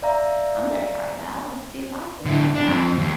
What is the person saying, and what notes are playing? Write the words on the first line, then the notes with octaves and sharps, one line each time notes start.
I'm gonna try that, let's see if I can make that,"
D5 E5 F5 A#5
D3 E4
D4
F2 C4
D#2